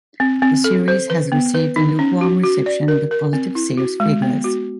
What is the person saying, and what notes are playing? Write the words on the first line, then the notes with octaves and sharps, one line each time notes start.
The series has received a lukewarm reception, but positive sales figures.
C4
C4
A4
C5
B4
B3
B4
D#4
C#4
F#4
F#4
D5
A#4
A#4
C4
E4
F#4
G#3
B3
F#4